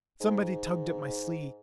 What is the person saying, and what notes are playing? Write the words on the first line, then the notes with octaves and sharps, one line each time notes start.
Somebody tugged at my sleeve.
G#2